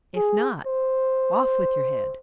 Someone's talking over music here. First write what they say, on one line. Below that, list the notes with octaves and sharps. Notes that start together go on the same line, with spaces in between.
If not, off with your head.'
G#4
C5